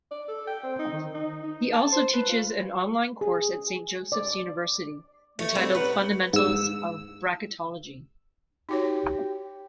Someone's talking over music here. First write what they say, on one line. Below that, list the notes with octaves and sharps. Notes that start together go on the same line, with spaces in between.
He also teaches an online course at Saint Joseph's University titled "Fundamentals of Bracketology".
D5
A4
G5
C4
D#4
D#3
D#4
D#4
A5
C5
B4
F4
G#4
D5
A3 C#5
G3 C4 A4
C#4 D#4 B4 F#5
G#2 E6
D#4 F#4 G4 C#5